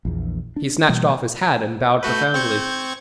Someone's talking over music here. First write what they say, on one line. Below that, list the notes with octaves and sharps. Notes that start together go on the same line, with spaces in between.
He snatched off his hat and bowed profoundly.
A#1 E2
D4
B2 E3 G3 A#3
A3 F#4 B4 G6
C4 C#6 G#6